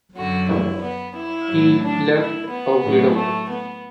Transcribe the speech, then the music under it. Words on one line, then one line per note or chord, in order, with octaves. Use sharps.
He left a widow.
F#2 D3 F#3 F#4
E4
B3
E4
A2 F#3
D4
E4
B3
A2 F#3
A3
B3